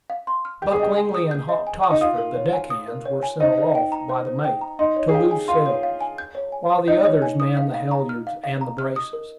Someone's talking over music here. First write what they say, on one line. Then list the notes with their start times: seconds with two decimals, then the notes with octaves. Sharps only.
Buck Lingley and Hop Tossford, the deck hands, were sent aloft by the mate to loose sails, while the others manned the halyard and the braces.
0.10 F5
0.27 C6
0.45 F6
0.62 G4 G6
0.72 G#4
0.80 G4 D#5
0.97 G#5
1.14 D#6
1.31 G6
1.49 D#5
1.67 G#5
1.84 D#6
1.91 D#4
2.01 F4 D#6
2.18 A#4
2.35 C#5
2.53 G#5
2.70 D#6
2.88 A#4
3.05 C#5
3.23 G#5
3.40 D#4 C5
3.58 C5
3.75 G5
3.92 A#5
4.09 C5
4.27 C5
4.44 G5
4.61 A#5
4.79 D#4 C6
4.96 C#5
5.09 G#4
5.14 G4 F5
5.31 G#5
5.48 F4 C6
5.66 C#5
5.83 F5
6.01 G#5
6.18 G6
6.35 C#5
6.52 G#5
6.70 D#6
6.88 D#4 G6
7.05 C#5
7.22 G#5
7.40 D#6
7.57 F5
7.74 F5
7.91 A#5
8.09 F6
8.27 F5
8.44 F5
8.61 A#5
8.78 F6
8.96 D#6
9.13 A#4